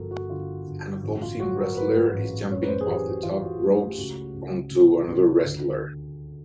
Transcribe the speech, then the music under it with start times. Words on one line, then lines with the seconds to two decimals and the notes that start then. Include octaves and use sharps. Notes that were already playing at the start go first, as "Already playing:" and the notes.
An opposing wrestler is jumping off the top ropes onto another wrestler.
Already playing: G1 F3 F#4 A4 A#4
0.11 F#4
0.30 D3 F4
0.67 G1
1.03 A1 F#4
1.22 F4
1.39 F#3 F#4
1.58 A#4
1.77 G#2 B4
2.14 A1
2.50 F#2 C#5
2.62 B4
2.68 C5
2.81 G#4
2.86 E3 G4
3.06 F#4
3.23 E3 F4
3.42 F#4
3.60 A3 F#4
3.79 G4
3.98 C#2 F#4
4.34 C#2
4.71 C3
5.08 C#2
5.45 D2